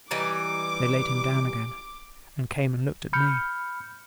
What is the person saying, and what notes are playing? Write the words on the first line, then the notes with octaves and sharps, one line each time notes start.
They laid him down again, and came and looked at me.
E3 G3 D#4 D6
B5 F6 G6 C#7